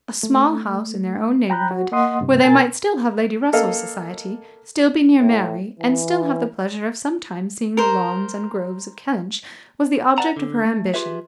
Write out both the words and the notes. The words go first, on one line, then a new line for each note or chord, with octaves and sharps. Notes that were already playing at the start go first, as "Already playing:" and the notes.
A small house in their own neighbourhood, where they might still have Lady Russell's society, still be near Mary, and still have the pleasure of sometimes seeing the lawns and groves of Kellynch, was the object of her ambition.
A3
G5 A#5 B5 F#6 G6
F#4
A#3 D#5 F#5 C6 D#6
G2 C3
B2 A#4 G#5 A6
A#3 A4 D#5 F5
A2
E3
A#4 C5
B4 D5 F#5 A5 A#5
D3
A3
F4 G4 G#4 B4 E5